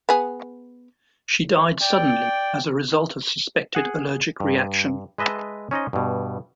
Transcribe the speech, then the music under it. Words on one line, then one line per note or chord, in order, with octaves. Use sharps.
She died suddenly as a result of suspected allergic reaction.
B3 G#4
D5 G5
G#4 F#5
G2
G#3 B4 D#5 E5 A5
C#4 D#4 C5 D#5
G2 B2